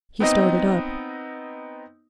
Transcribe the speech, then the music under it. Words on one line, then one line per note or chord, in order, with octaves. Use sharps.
He started up.
B3 C4 D#4 D#5